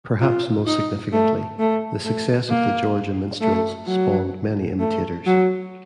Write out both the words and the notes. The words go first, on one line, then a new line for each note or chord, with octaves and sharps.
Perhaps most significantly, the success of the Georgia Minstrels spawned many imitators.
F4
D#4
A3
A3
A3
A#3
A3
F#3
A3
F#3